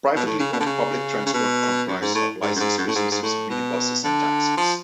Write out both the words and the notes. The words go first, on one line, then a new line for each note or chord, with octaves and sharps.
Privately owned public transport comprise of licenced buses, minibuses and taxis.
B2
A2
C#3
B2
D3
C#3
C#3
B2
F#2
G#2
A2
G#2
F#2
G#2
F#2
A2
G#2
G#2
A2
B2
D3
F3